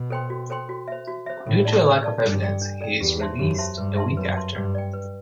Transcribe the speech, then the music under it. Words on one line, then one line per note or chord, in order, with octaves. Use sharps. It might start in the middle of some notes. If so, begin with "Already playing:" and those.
Due to lack of evidence, he is released a week after.
Already playing: B2
A4 C5 G5 C6
F#4
A4 C5 G5 C6
F#4
C5 E5
F#4
C5 E5
A2 A4
D5 A5
A4
D5 A5
G2 D4
A4 D5 G5
D4
A4 D5 G5
E2 G4
C5 E5 A5 C6
F#2 G4
C5 E5 A5 C6
G2 B4
E5 A5 C6
F#2 B4
E5 A5 C6
G2 B4
D5 G5
B4